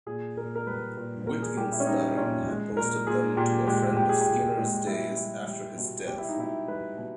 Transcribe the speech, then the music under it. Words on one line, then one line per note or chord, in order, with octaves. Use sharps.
Wittgenstein had posted them to a friend of Skinner's days after his death.
A#2 G#4
A#2 A#4
A#4
G3 B4
A#2 B4
A#2 A#4
G#4
G3 G4
E4
C#4
G3 D#4
A#2 C#4
G#3
A#2 A#4
A#2 G#4
A#2 G4
G#3 G4
A#2 G4
G#4
G4
A#2
G#3
G3 E4
G3
G3
B2
B2 G4
E4
D#4
B2 E4
G3 B4
B2